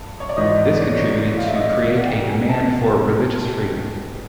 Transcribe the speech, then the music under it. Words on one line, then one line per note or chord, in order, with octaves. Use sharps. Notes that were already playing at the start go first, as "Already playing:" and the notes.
This contributed to create a demand for religious freedom.
Already playing: G2
C#5
D5
G#1 G#2 E3 D#5
D5
C#5
F5
E5
D#5
D5
F#5
B1 B2 G5
G#5
A5